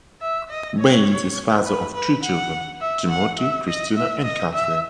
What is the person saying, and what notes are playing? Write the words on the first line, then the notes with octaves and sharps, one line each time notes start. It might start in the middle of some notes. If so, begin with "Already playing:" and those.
Baines is father of three children - Timothy, Christina, and Catherine.
E5
D#5
C#5
B4
B4
F#5
E5
F#5
E5
D#5
E5
D#5
E5